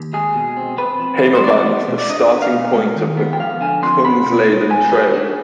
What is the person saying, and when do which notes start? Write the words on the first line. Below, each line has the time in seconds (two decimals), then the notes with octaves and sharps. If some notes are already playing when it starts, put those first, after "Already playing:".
Hemavan is the starting point of the Kungsleden trail.
Already playing: D#2
0.13 G#3 G#4
0.34 B2
0.57 C4
0.78 C4 B4
1.00 F3
1.21 D#4
1.35 C5
1.43 D#4 D5
1.66 B3
1.88 B2
1.98 D5
2.09 D4 D#5
2.31 B3
2.42 F5
2.52 B2
2.75 G#3
2.96 D#3
3.17 B3
3.33 G5
3.39 F3 F5
3.61 D3 G#5
3.82 C4 C6
4.04 B3 B5
4.26 B2
4.49 D#4
4.70 B3 G#5
4.91 G3 B4
5.13 D4 G#4